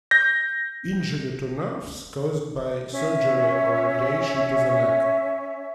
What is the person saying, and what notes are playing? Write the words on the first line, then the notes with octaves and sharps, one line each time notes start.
Injury to nerves caused by surgery or radiation to the neck.
G6 A#6
C#4 E5